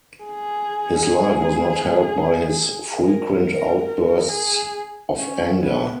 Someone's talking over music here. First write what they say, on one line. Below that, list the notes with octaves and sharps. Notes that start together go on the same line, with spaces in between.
His life was not helped by his frequent outbursts of anger.
G#4
A#4
A#4
A#4
G#4
C#4
B3